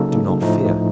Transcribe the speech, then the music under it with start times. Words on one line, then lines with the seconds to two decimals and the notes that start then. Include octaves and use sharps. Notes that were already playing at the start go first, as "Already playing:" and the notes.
Do not fear.
Already playing: C#3 F#3 A#3 D#4 A4
0.42 A2 F3 A3 D#4